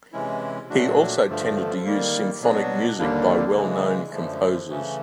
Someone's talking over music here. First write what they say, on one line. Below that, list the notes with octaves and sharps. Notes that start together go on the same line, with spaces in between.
He also tended to use symphonic music by well-know composers.
C3 E3 G#3 C#4 E4
A#2 F#3 A3 D4 F#4
G2 D3 F3 A3
D#3 G3 A#3
B2 F#3 B3 D4 F#4
D#2 D3 G3 A#3 D4
C#3 E3 G#3
F#2 D3 F3 A3
C#3 E3 A3 C#4